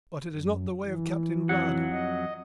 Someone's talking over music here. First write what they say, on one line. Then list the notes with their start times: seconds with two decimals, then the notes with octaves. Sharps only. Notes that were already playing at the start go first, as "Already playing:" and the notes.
But it is not the way of Captain Blood.
0.33 F#2
0.85 E3
1.49 F2 F#3 F#5
1.92 D#5